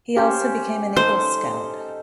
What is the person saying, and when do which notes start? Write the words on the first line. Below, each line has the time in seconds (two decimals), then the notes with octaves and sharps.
He also became an Eagle Scout.
0.16 C#4 G4 C5
0.97 D#4 A4 C5